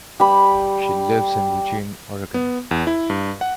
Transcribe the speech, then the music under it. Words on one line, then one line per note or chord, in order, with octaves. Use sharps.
She lives in Eugene, Oregon.
G3 B5
B3
E2
E4
G2
F#5